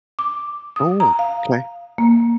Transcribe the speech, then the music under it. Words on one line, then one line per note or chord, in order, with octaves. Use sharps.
Oh, 'kay.
D6
D#6
A#5
F5
A#3